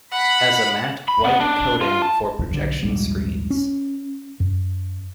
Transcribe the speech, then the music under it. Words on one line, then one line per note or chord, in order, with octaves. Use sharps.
As a matte white coating for projection screens.
F#5 B5
B5
B3
D4
F4
A5
B1 D3
D#1 A#1 G#2 G3
C#4
F#2